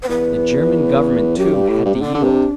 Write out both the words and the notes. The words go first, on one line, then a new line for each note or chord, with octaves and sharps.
The German Government, too, had to yield.
C5
E2 B4
F#2 G4
G2
A2
G2
C3
D3 D4
D3
C3